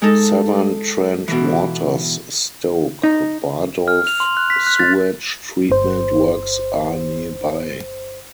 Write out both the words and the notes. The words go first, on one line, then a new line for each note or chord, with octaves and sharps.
Severn Trent Water's Stoke Bardolph Sewage treatment Works are nearby.
G#3 D#4 A4
B2 E3
D#4
F6
F7
C6
F#6
B6
F#6
A6
G1 C5